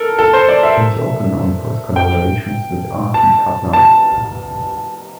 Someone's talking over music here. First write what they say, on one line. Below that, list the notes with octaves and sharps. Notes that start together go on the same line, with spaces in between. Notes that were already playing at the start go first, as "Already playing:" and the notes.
He is also known for his collaborations with Artie Kaplan.
Already playing: A4 A#4
A4
C5
D5
E5
G5
A5
A5